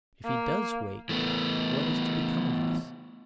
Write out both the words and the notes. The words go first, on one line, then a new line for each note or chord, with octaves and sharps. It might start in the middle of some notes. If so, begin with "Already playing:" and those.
"If he does wake what is to become of us?"
A#3
E3 A3 B3